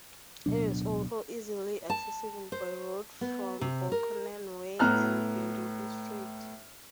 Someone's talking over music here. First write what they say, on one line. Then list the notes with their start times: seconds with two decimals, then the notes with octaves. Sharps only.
It is also easily accessible by road from Belconnen Way and Bindubi Street.
0.46 D1 B2 F#3 D4
1.90 A5
2.52 C5
3.21 B3
3.61 C3
3.92 A#4
4.79 A2 B3 A#5 F6 F#6